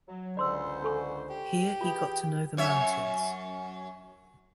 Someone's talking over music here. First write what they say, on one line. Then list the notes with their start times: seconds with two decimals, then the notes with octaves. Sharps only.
Here he got to know the mountains.
0.07 F#3
0.37 C#2 D3 C5 D5 C6 E6
0.82 D4 A4 C#6
1.30 G4
1.81 E3 F4 G#4 G5
2.57 F#2 C#5 E5